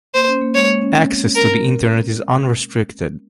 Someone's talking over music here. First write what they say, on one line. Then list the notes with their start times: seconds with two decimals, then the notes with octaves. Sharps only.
Access to the Internet is unrestricted.
0.14 A#3 C5
0.28 C#4
0.41 A#3
0.55 G#3 C#5
0.68 A#3
0.82 C#4
0.95 C4
1.35 A#4